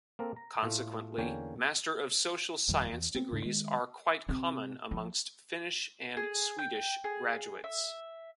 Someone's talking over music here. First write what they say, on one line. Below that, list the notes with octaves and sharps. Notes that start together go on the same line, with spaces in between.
Consequently, Master of Social Science degrees are quite common amongst Finnish and Swedish graduates.
A#3 C4 A4 A#4
A#5
A2 A3 F4
E2 D3 A#3 C#4 G5 G#5
G1 F2 D#3 G3
E2
B3 C4
D2 G#2 C#3 D4
D#3 G#3
C3
F3
G#4
G5
G#4
E5